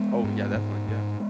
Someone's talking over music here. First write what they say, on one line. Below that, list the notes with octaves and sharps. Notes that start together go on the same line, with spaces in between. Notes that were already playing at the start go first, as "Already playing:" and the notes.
Oh, yeah, definitely, yeah.
Already playing: G#3 B3
G#2
G#2
G#2